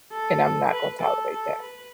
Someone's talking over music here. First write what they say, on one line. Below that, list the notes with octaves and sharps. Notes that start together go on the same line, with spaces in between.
and I'm not gonna tolerate that.
A4
B4
A4
A4
B4